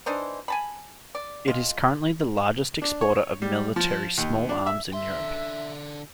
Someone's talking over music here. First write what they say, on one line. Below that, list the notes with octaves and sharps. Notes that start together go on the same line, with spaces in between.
It is currently the largest exporter of military small arms in Europe.
E3 D4 D#4 C5
G#5 A5 B5
D5
G#3 F4
D4
C#5
G3
F3
D#2
D4
E5
D3 E5 C6